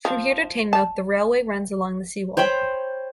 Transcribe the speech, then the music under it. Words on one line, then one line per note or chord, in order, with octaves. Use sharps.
From here to Teignmouth the railway runs along the Sea Wall.
F3
A5
C5 C#5 G5 B5